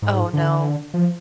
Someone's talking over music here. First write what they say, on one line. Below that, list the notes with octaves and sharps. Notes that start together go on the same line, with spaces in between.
Oh, no.
G#2
D3
F3